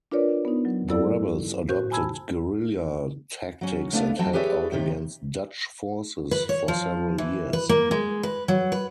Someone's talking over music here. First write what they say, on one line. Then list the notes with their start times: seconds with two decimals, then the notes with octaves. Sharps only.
The rebels adopted guerrilla tactics and held out against Dutch forces for several years.
0.11 D4 F4 A#4 B4 C#5 D5
0.45 B3 D#4
0.65 F#3
0.89 G2 F#3 E4 A4 D5 E6
1.69 A2 F#4 C5 G6
1.91 G#5 A5 B5 E6 G#6
3.61 F#3 C#4
3.93 A3 B3 D4 E4 D5 F5
4.19 E3 F#3 C4 G5 A5
4.33 G4 G#4 B4 C#5 D5 E5
4.72 C3 D#3 G4
6.31 B4
6.49 C#5
6.68 F3
7.18 E3
7.53 B4
7.69 A#3
7.91 G#3
8.23 B4
8.48 F#3
8.72 B4